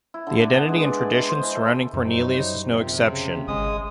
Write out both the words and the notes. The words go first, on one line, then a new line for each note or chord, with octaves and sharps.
The identity and traditions surrounding Cornelius is no exception.
E4
D3
D4
B3
G#3
D5
G#5
D#5
C5
E3
A4
F#2 F#3 G3 D#4 E4 C5
A#1 C3
C#3
G#1 G#3 D#6